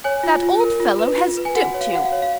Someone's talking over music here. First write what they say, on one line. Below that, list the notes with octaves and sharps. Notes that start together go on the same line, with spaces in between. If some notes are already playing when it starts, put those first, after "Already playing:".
That old fellow has duped you!
C#5 G#5
F4
F4
A#4
F4
B4
F4
B4
G#5
F#4 F#5
C#5
F5
F#4 F#5
F5
C#5
F5